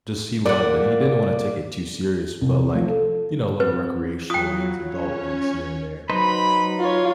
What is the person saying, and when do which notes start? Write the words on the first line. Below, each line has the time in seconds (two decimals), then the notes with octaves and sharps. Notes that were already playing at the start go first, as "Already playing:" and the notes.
just he loved it, and he didn't wanna take it too serious, but, like, you know, little recreational leagues, adult leagues here and there.
0.46 A#2 D5 F#5
2.41 C2
2.75 F3
2.88 A4
3.60 C4 B4
4.30 F#3 F4 G5 D#6 F#6
4.85 C#4 C#5
6.10 F#3 D#4 B4 C5 B5
6.79 F4 C#5